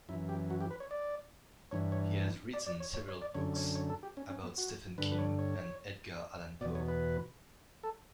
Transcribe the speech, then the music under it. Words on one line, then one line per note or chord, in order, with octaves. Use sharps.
He has written several books about Stephen King and Edgar Allan Poe.
F#2 E3 E4
G4
F#4
G4
B4
C#5
D5
G2 E3 C#5
C#5
D5
D5
C#5
C#5
C#5
D5
F#2 D3 C#5
C#5
C#5
A4
G4
C#4
C#4
B3
F#4
G2 D3 B4
B4
C#5
C#5
E2 B2 D5
C#5
B4
A4